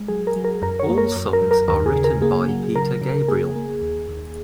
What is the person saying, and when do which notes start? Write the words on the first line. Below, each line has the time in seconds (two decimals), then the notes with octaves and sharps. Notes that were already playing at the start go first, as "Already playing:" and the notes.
All songs are written by Peter Gabriel.
Already playing: G#3
0.08 F#3 G#4
0.27 A#4
0.36 F#3
0.44 A#4
0.62 F#2 A#4
0.79 C#5
0.89 A#3
0.98 A#4
1.16 F#2
1.33 A#4
1.42 F#2
1.51 A#4
1.68 D#2 A#4
1.86 G#4
1.96 C#3
2.04 A#4
2.22 A#3 G#4
2.49 F#3
2.75 C#3 A#4
3.02 C#3
3.28 A#3 G#4
3.55 A#3
3.82 D#2
4.08 D#2